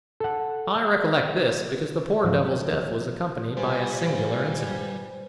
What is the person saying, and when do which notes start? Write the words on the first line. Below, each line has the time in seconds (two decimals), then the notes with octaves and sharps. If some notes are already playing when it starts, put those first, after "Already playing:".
"I recollect this, because the poor devil's death was accompanied by a singular incident."
0.20 A4 F#5
2.24 C#2 G#2 C#3 F3 F#3
3.57 A#2 G3 B4 C5 F5 G#5